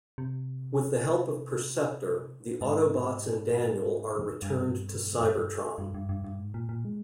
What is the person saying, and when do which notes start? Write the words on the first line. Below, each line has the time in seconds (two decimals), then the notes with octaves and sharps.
With the help of Perceptor, the Autobots and Daniel are returned to Cybertron.
0.18 C3
2.61 G#2
4.42 G2
5.78 G2
5.94 G2
6.09 G2
6.24 G2
6.39 G#2
6.54 A#2
6.69 A#2
6.85 G#3